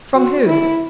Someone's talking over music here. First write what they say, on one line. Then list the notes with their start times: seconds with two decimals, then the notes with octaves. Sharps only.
"From whom?"
0.14 F#4
0.45 E4